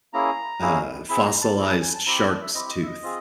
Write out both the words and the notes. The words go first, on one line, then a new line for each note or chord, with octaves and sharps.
uh, fossilized shark's tooth.
A#3 C#4 E4 G#4 A#5
A#3 C#4 E4 G#4
C4 E4 G#4 B5
A#5
A5
C4 E4 G#4 A#5
A5
G#5
A5
C4 E4 G4 A#5
B5
A5
E5
C4 E4 G4 D#5
D#5
E5
D#5
C4 F4 G#4